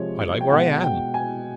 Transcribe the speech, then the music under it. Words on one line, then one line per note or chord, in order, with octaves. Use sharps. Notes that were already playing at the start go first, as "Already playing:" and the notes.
I like where I am.
Already playing: C3 F3 G#3 C#5
G5
B2 G#3 F#5
G5
G#5